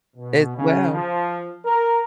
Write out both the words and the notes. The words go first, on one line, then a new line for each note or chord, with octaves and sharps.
as well.
B2
C#3
F3
A#4